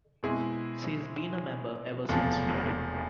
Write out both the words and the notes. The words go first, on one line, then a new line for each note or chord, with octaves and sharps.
She's been a member ever since.
B2 G#3 C4 E4 G#4
E1 E2 C3 F3 A3